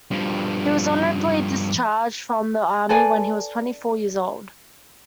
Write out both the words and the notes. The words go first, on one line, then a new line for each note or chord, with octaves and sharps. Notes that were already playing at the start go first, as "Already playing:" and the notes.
He was honorably discharged from the Army when he was twenty-four years old.
G2 F3
A4 B4 D5 G#5